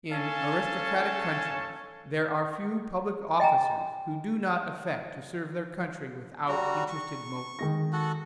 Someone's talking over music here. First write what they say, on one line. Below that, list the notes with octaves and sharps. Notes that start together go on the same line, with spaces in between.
In aristocratic countries there are few public officers who do not affect to serve their country without interested motives.
C#4 A4 C#5 F5 G#5 A5
D#5 G5 G#5 A#5
G3 F#4 A#5
C#6
D#3 G#3 A#6
F#4 A4 F#5